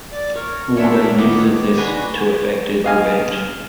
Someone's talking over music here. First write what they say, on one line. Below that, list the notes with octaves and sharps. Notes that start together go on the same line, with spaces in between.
Waldo uses this to effect his revenge.
D5
A#4 C#5
F#3 D4 E4 F4 C#5 E5
D#3 B3 D6
D4 F#4 G#5 B5 C6
D#5 F5 G#5